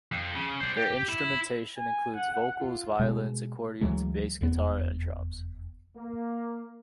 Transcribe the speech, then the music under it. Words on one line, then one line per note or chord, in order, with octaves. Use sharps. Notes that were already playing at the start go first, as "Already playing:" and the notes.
Their instrumentation includes vocals, violins, accordions, bass guitar, and drums.
F2
C#3
C5 D5
G4
E4
G#5
F#5
F4
B2 G#3
D2 E3 F#3 G#3
F1 E2 B3
A#3